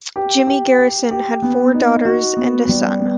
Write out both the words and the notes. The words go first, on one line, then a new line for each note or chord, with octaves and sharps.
Jimmy Garrison had four daughters and a son.
G4
G4
G4
G4
B3
D#4
F#4
B3
G3
B3